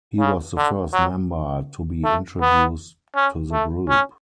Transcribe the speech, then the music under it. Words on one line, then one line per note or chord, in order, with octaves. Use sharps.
He was the first member to be introduced to the group.
C#3
D3
F#3
A3
B3
C#4
A3
C#4